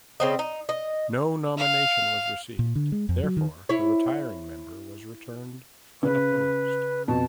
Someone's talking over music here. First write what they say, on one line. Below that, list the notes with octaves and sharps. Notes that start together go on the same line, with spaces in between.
No nomination was received therefore the retiring member was returned unopposed.
C#3 C4 D#5
D#4
D#5
F5
A#2
D3
G#3
F2
F#3
D#3
E4 C#5
C#3 B4
F2 B2 A5